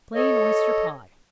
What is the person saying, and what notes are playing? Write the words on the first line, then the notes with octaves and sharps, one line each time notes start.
Plain Oyster Pie.
A4 C#5 D#5